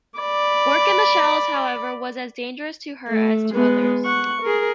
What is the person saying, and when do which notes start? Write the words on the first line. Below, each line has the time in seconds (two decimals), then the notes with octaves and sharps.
Work in the shallows, however, was as dangerous to her as to others.
0.19 D5 B5
3.09 A3
3.54 G#3 B3
4.05 F#5 C#6
4.42 G#4 A#4